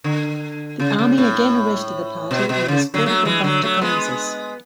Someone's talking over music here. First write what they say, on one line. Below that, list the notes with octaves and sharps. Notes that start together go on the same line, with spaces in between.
The Army again arrested the party and escorted them back to Kansas.
D3
C#3
C#3
A2
B2
B2
C#3
D3 F#3
F#3 A3
E3 G#3
D3 F#3
F#3 A3
G#3 B3